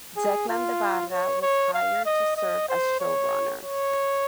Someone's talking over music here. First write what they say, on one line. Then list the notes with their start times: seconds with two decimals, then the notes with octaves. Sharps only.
Declan de Barra was hired to serve as showrunner.
0.16 G#4
0.49 F4
1.11 C#5
1.42 C#5
1.74 F5
2.05 D#5
2.37 D#5
2.69 C5
3.00 C#5
3.63 C#5